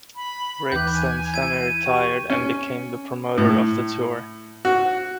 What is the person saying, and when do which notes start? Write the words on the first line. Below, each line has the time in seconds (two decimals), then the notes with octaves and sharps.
Riggs then semi-retired and became the promoter of the tour.
0.16 B5
0.72 D#2 E3 B4 D6 G6
0.94 G#5 F#6
1.34 E4 G#6 D#7
1.86 G4 G5 C#6
2.30 C#4
3.38 A2
4.65 F#4